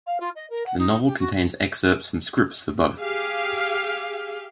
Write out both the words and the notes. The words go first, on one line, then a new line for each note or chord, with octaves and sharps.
The novel contains excerpts from scripts for both.
F5
F4
D#5
A#4
F#5
D#4
G4
F#4
G4 G#4 F5